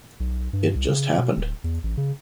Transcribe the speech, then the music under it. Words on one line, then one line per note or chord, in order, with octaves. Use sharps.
It just happened.
B1
G2
C2
C#3
B2
D1
E2
A1
C#3